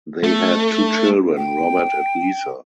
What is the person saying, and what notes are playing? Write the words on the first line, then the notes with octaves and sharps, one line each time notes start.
They had two children, Robert and Lisa.
A3
G5